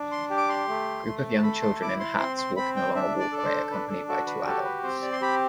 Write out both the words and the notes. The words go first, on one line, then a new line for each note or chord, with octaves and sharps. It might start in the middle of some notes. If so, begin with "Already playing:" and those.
A group of young children in hats walking along a walkway accompanied by two adults.
Already playing: D4
C6
G4
D6
C6
A3
A3
A5
A4 B5
C6
E4 D6
C6
C4 C6
C6
C4 B5
G5
D4 E5
D5
A4
D5
C5
D4 B4
A4
F#4 A4
B4
G4 A4
B4
C4 C5
D5
C6
G4 B5